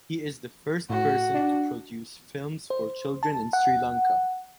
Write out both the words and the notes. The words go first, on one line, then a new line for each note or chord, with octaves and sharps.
He is first person to produce films for children in Sri Lanka.
A2 F#4
D4
C5
A5
F#5